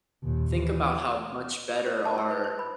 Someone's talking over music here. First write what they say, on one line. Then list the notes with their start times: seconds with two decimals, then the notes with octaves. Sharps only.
Think about how much better our
0.23 D#2 A#2
0.57 E3
1.86 C5
2.05 A5
2.18 E6
2.31 B4
2.44 C5
2.59 B5